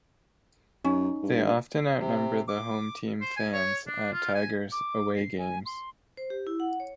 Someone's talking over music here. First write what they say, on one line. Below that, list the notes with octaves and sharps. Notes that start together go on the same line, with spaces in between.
They often outnumber the home team fans at Tigers "away" games.
F#2 C#4 D#4
G2
C3
D6
C5
G#5
C#5
D4
F4
G#5
D6
C7
G#5
C6
C5
G4
E4
F#5
C#5